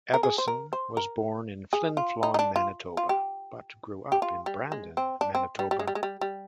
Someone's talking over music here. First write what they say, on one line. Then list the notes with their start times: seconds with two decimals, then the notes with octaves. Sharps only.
Evason was born in Flin Flon, Manitoba, but grew up in Brandon, Manitoba.
0.14 A#4
0.23 G#4
0.38 C5
0.48 A#4
0.73 C5
0.97 A#4
1.73 G#4
1.97 F4
2.23 D#4
2.34 D#4
2.39 D4
2.56 F4
2.97 F4
3.09 G4
4.12 G4
4.22 F4
4.46 G3
4.72 G#3
4.97 C4
5.21 D4
5.35 C4
5.59 G3
5.71 G3
5.79 G#3
5.87 G3
5.95 G#3
6.03 G3
6.21 G3